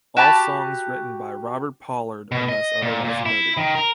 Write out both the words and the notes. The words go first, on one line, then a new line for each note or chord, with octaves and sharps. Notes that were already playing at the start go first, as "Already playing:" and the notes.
All songs written by Robert Pollard unless otherwise noted.
F#4 G4 A5 B5
B2
D#5
A#2
A#2
E4
D#3
A#4